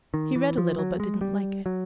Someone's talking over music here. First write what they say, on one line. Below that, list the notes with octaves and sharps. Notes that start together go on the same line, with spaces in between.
He read a little but didn't like it.
D#3
E3
F3
F#3
G#3
G3
F#3